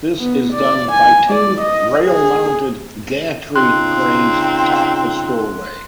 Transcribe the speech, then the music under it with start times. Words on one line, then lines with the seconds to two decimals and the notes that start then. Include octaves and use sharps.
This is done by two rail-mounted gantry cranes atop the spillway.
0.19 B3
0.53 D5
0.92 G#5
1.31 D5
1.61 D#5
2.05 G#4
3.56 C#3 C4 D#4 F4 C6 F#6